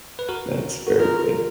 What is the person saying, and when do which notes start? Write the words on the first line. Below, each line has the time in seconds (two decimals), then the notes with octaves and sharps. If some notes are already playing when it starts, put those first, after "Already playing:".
That's very good.
0.19 B4
0.29 F#4 A#4
0.87 F#4
0.99 F4 G#4 A#4